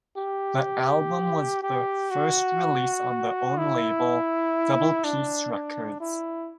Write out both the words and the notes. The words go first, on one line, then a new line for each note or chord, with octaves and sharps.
The album was the first release on their own label Double Peace Records.
G4
G4
F#4
E4
D4
D4
E4